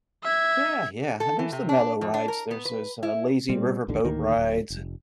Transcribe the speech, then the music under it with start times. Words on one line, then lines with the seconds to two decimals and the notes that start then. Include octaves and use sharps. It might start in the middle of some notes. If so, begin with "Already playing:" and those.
Yeah, yeah. There's the mellow rides, there's those, uh, lazy river boat rides and,
0.23 E5 G#6
1.20 A4
1.39 E3
1.52 C3
1.69 D4
2.01 F2
2.14 D4
2.28 A#4
2.51 B3
2.65 B4
3.03 E4
3.49 A#2 G3 C4
3.88 A#1 D#2 A2 D3
4.04 D2 A2 D#3 A#3
4.36 D1
4.70 F1